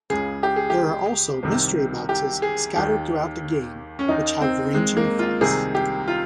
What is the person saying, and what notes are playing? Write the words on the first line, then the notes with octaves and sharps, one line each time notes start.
There are also "mystery boxes" scattered throughout the game, which have ranging effects.
C#2 C#3 G#4
G4
G#4
G4
C2 C3 D#3
G4
G#4
D#2 D#3 G4
C#4
D#2 D#3 D#4
C4
G#3
A#3
F4
C2 C3 D#3 G#4
G4
F4